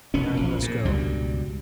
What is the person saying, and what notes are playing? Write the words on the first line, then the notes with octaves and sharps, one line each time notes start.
Now you must go.
F1 A#2 C#4
A#1 F3
A#2
C#2 G2 B2 G3